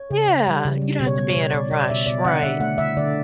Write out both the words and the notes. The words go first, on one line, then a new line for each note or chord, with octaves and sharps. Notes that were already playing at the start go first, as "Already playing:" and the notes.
Yeah, you don't have to be in a rush, right.
Already playing: C#5
C#3
C#3
G3
C#3
G3
B2
C#5
G3
C#5
B2
B2 D5
B2 D5
D5
B2 E5
B2 D5
D3 F#5
D3 E5
A3 F#5
D3 E5
D3 D5